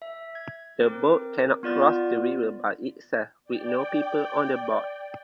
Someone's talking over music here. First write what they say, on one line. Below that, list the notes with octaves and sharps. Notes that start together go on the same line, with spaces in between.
The boat cannot cross the river by itself with no people on board.
E5
G#6
C4 A#4 D6
B3 F4 D5 A6
D5 G5